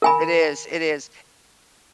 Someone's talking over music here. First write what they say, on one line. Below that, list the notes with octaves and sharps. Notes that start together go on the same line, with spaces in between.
It is, it is
A#4 G#5 B5